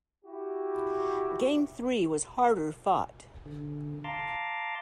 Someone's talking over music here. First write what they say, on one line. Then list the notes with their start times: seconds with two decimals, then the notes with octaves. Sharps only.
Game three was harder-fought.
0.25 E4 F#4 G4
3.46 D3
4.04 F5 A5 A#5 C6 D6